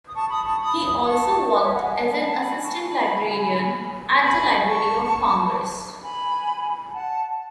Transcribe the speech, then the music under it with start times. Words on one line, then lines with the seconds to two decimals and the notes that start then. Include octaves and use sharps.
He also worked as an assistant librarian at the Library of Congress.
0.07 D#6
0.15 A5 C#6
0.30 B5 D#6
0.46 A5 C#6
0.61 B5 D#6
1.06 A5 C#6
1.51 B4 D#5
1.62 C#5 E5
1.73 D#5 F#5
1.85 E5 G#5
1.96 F#5 A5
2.11 G#5 B5
2.26 F#5 A5
2.41 G#5 B5
2.64 A5 C#6
2.86 G#5 B5
4.22 G#5 B5
4.67 A5 C#6
6.03 G#5 B5
6.92 F#5 A5